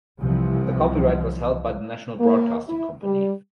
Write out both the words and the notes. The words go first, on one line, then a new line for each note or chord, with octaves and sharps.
The copyright was held by the National Broadcasting Company.
C2 C3 E3 F3
A#3
E4
G3